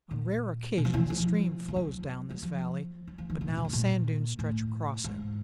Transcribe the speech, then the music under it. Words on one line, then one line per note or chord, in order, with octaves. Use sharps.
On rare occasions a stream flows down this valley, but now sand dunes stretch across it.
A#2
B2
F3
E3
F3
F3
F#3
F#3
F3
F#3
F3
D#3
D3
A#2
A2
G#2
A#2
A2
G#2